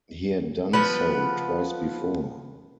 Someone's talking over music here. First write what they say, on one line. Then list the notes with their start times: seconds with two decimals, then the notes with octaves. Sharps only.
He had done so twice before.
0.73 F3 B3 B4